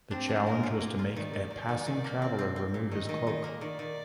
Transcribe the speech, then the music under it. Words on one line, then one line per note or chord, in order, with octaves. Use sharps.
The challenge was to make a passing traveler remove his cloak.
C4 D4
D4
G#3 A#4
F4
A#3
F4
D#3 D5
D#3
D#3
D#3
D#3
A#3
C4
C4
C4
A#2
D#3 D#5
D#3
D#3
A#3
D#3 D5
D#3